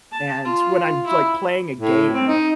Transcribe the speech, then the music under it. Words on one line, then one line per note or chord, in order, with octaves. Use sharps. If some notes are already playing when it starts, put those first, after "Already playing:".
and when I'm, like, playing a game,
A5
F4
E4
A2
C4
D#4